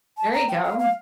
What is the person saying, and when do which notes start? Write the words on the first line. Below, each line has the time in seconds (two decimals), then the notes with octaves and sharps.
There you go.
0.18 A5
0.33 A#5
0.49 G5
0.64 F5
0.79 F5